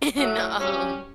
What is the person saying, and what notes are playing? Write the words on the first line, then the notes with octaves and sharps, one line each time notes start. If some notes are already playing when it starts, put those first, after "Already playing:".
And, um
A2 F#3 A3
G2 F#3 C#4 G4